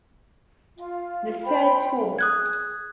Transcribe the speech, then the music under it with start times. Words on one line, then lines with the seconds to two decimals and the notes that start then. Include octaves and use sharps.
The third tour.
0.76 F4
1.45 C5 G5 B5
2.19 G#4 D#6 F#6 G#6